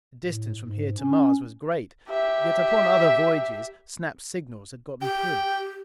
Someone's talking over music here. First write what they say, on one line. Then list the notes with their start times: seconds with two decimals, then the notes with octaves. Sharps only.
The distance from here to Mars was great; yet upon other voyages Snap's signals had gotten through.
0.25 A2
0.63 G#2
1.00 C#4
2.10 G4 E5
5.02 G4 G5